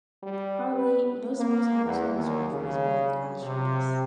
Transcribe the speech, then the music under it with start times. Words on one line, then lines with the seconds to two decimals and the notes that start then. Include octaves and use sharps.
Probably no small town is known as well for a sport than Asher is.
0.23 G3
0.73 B4
1.38 A#3
1.84 E2
2.14 D#2
2.51 C#3
3.41 C3